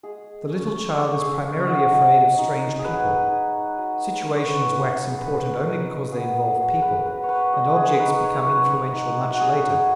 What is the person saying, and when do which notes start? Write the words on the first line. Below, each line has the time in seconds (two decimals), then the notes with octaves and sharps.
The little child is primarily afraid of strange people; situations wax important only because they involve people, and objects become influential much later.
0.03 G#3 G#4
0.50 C#4
0.97 G#3 C#5
1.21 G#4
1.44 C#4
1.63 D#5 F#5
1.91 F#3
2.38 D#4
2.79 G#4
2.84 F#3 B4
3.31 D#4
3.78 F#3
4.25 C#4 B4
4.36 C#5
4.46 B4
4.72 F#3 B4
5.08 G#4
5.19 C#4 B4
5.65 D#4 G#4
6.12 B3 G#4
6.59 F#3 G#4
6.82 B4
7.06 F#3 B4
7.23 C#5
7.29 B4
7.53 F#3 D#5
7.76 G#4
7.89 C#5
7.99 D#4 B4
8.23 C#5
8.35 C#5
8.46 F#3 B4
8.93 D#4
9.31 F#4
9.40 F#3 G#4